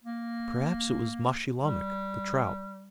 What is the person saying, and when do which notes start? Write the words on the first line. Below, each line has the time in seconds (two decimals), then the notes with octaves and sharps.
"Perhaps it was Maschilamek, the trout."
0.04 A#3
1.60 G3